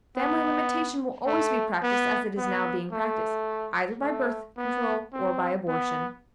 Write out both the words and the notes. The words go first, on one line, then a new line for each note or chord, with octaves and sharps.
Family limitation will always be practiced as it is now being practiced--either by birth control or by abortion.
B3
A3
B3
B3
A3
A3
B3
C4
B3